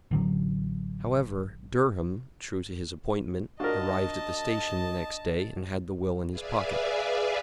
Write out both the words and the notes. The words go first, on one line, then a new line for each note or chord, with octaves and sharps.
However, Durham, true to his appointment, arrived at the station the next day and had the will in his pocket.
A1 D3 F#3
D4 F4 F#4 A#4 D#5 A5
G#4 B4 D5 E5 F5 G#5